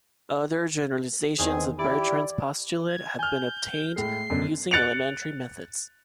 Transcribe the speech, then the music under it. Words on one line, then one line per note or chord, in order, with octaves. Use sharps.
Other generalizations of Bertrand's Postulate have been obtained using elementary methods.
E2 D#3 C4 G#4
E4 G4 D5
G#6
G#5 F6 G6
A2 G#3 C7
F#2 B2 D3
F#6 A6 C#7 D7 F7